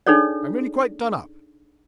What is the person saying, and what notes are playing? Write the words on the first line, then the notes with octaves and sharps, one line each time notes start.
I'm really quite done up.
D4 D#4 G#4 A4 C#5 D5